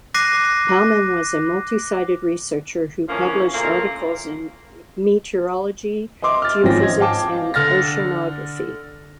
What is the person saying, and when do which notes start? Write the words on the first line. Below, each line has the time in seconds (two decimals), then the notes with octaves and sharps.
Palmen was a multisided researcher who published articles in meteorology, geophysics and oceanography.
0.14 D6 F#6 A#6 C7 D#7
3.08 D3 E3 F3 A#3 C#4
3.53 A#2 C#3 A3 A#3 F4 A#4
6.22 D#5 E5 C6 D6
6.42 F6 A6
6.63 G#1 G#2 F3 C#4 G5 A#6
6.82 D#5 G#6
7.00 F5 G5 A5 D6
7.54 D3 F6 A6 A#6